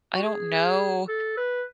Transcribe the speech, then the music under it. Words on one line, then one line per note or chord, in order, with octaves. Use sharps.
I don't know
F#4
G#4
A4
B4